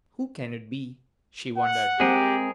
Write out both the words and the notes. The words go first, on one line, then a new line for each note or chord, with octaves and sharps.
"Who can it be?" she wondered.
F#5
G#3 C4 G4 G#4 A#4